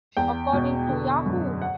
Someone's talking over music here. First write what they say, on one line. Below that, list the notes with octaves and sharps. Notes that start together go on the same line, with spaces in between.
According to Yahoo!
E2 G5
B2
D3
F#2
F#5